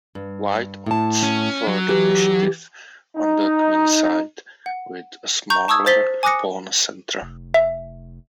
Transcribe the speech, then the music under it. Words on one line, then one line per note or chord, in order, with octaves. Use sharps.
White opts for the initiative on the queenside with a smaller pawn center.
G2
A2 A5
C#4
F#3
E3 G4
D#4
F#5
A#5 C#6 G6
A5 C#6 D#6 E6 G#6
C5 A6 B6 G7
G#5 D6 D#6 F#6 A#6 C#7
F1
E5